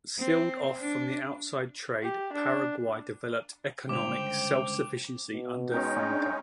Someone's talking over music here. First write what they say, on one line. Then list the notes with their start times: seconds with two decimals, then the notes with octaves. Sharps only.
Sealed off from outside trade, Paraguay developed economic self-sufficiency under Francia.
0.19 C4
0.79 D4
2.02 G4
2.32 D4
3.89 C#2 G2 D3 C5 G5 D6 F7
5.34 B2
5.71 G#3 C#4 D#4 G5
6.08 D4